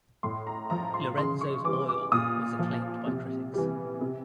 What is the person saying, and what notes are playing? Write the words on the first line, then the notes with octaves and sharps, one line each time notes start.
"Lorenzo's Oil" was acclaimed by critics.
A2 C6
A#5
F3 A#5
C6
C#3 C6
C#6
E3 G3 D6
D6
A#2 D#6
F3
C3
E3 G3
C3